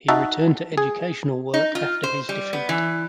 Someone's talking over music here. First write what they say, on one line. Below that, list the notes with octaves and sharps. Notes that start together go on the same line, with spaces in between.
He returned to educational work after his defeat.
D#4 F#4 E5 A5
G#4
D#4
F4
C5
G3
B3
E3